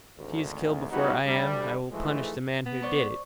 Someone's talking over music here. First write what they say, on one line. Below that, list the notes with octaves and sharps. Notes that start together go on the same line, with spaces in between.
If he is killed before I am, I will punish the man who did it.
G#1 D2
G3 B3 C#4 D#4 E4 F#4
D2 G3 D4
G#2 E3 F3 G#3 A3
B3
C5 D5 C#6